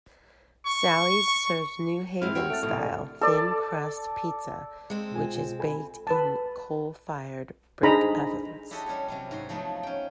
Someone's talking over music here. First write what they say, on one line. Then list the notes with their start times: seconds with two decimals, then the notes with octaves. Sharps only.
Sally's serves New Haven-style thin-crust apizza, which is baked in coal-fired brick ovens.
0.66 C#6
2.22 G2 G#3 C4 E4 F6
2.35 F#4 C#5 G5
2.50 A3 A6 D7
2.63 A2 C3 D#3 F3 A3
2.79 D3
3.21 A4 D5
4.90 G#3 C4
5.11 B2 F4 G#5
5.59 A4 G#5 B5
6.07 B4 A5
7.83 D4 D#4 G#4 C5 A#5 B5
8.71 E4 F#4 G4 A4 D#5
8.86 G3 C#4 F#4 C#5
9.08 C3 F#3 C#4
9.31 G#2 F#4 C6
9.49 F3 F#3 A3 B3 D#4
9.83 C#4 G5